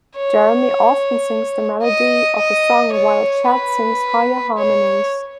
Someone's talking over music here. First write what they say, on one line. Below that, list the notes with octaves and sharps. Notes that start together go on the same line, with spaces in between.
Jeremy often sings the melody of a song while Chad sings higher harmonies.
C#5
D#5
D#5
C#5
B4
C#5